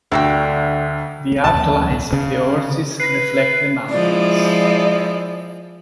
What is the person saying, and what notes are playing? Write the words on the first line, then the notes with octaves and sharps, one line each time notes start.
The outlines of the horses reflect the mountains.
D2 D3 F#4 G5
A#3 C4
A#1 A5
D2 F3 A#3
C#2 A2 C#3
C#3
B4 C7
F3 G#3 E4 D5